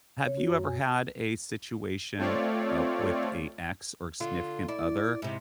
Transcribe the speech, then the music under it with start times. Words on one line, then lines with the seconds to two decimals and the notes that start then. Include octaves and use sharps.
Have you ever had a situation, uh, with a ex or significant other,
0.24 C#5
0.37 F#4
0.49 F#2
0.65 G#5
2.18 A3 C4 F4 C#5 D5
4.20 D3 F4
4.68 E4 D5
5.22 G#2 C3 E4